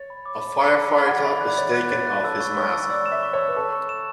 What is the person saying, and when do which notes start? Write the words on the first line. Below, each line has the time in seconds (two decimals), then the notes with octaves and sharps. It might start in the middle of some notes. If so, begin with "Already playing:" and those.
A firefighter is taking off his mask.
Already playing: C#5 A6
0.10 B5
0.26 D6
0.42 B5
0.58 D6
0.76 B5
0.93 B5
1.08 F#5 A6
1.24 E5 B5
1.41 D5 F#6
1.58 C#5 A6
1.74 F#6
1.91 C#5 A6
2.07 F#6
2.23 A4 E6
2.40 C#6
2.57 C#5 C#6
2.73 E6
2.89 D5 E6
3.06 E7
3.12 E5
3.23 C#6
3.33 C#5
3.39 E6
3.48 B4
3.55 A4 C#6
3.73 C#6
3.89 E7